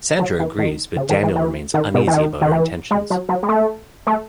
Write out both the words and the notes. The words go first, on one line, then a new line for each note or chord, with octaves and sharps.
Sandra agrees, but Daniel remains uneasy about her intentions.
F#3
E3
D#3
C#3
D#3
E3
E3
D#3
B2
E3
D#3
D#3
E3
G#3
F#3
F#3
G#3
A3
A3